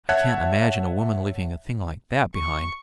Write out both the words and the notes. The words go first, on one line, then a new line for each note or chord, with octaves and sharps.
I can't imagine a woman leaving a thing like that behind.
C#5 E5 F#5 A5 F#6 G#6
C#6